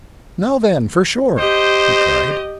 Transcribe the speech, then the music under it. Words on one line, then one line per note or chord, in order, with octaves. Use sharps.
"Now, then, for shore," he cried.
G4 C5 D#5